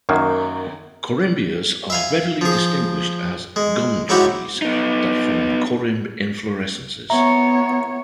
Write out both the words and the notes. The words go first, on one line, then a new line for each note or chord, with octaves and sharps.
Corymbias are readily distinguished as "gum trees" that form corymb inflorescences.
F#2 D#3 F#3 A#3
E5 F5 G#5
F3 G#4
G#3
G#2 C#4 E4 F#4 G4
B3 D#4
B3 C#5 E5 A#5